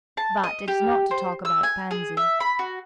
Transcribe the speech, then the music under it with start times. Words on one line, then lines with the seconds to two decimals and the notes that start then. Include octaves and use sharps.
"But it's not to talk about Pansy."
0.17 A5
0.43 D#5
0.68 G4
1.11 C5
1.45 E6
1.63 G#5
1.91 G#4
2.17 E5
2.40 B5
2.59 F#4